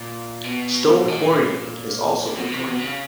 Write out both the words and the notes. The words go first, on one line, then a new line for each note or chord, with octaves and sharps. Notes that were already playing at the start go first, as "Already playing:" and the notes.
Stone quarrying is also important.
Already playing: A#2
B2
A2
A#2
A#2
B2
C3
B2
C3
C#3